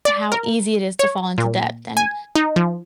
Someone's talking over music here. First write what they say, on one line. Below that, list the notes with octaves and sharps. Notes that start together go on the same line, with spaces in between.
how easy it is to fall into debt, and
D5
A#4
C#5
A#2
G#5
D#4
F3